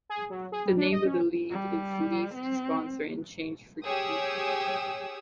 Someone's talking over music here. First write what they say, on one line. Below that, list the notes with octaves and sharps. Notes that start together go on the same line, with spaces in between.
The name of the league is leased to sponsor and changes frequently.
G#4
F#3
G#4
G3
D4
D#5
C#4
G3
C4
G4 G#4 C#5 G5 D#6 E6